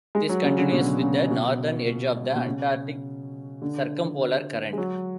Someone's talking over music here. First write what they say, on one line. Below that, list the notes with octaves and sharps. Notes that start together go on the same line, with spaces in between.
It is continuous with the northern edge of the Antarctic Circumpolar Current.
G#3
F#3
C#3
D3
B2
C#3
B2
B2
C#3
D3
G#3
F#3